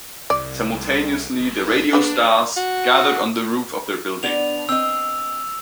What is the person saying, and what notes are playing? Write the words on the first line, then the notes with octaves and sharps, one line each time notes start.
Simultaneously the radio stars gathered on the roof of their building.
C2 D5
G1
A#3 B3 D4
F#4
B3 D4 F7
C4 D#5 E6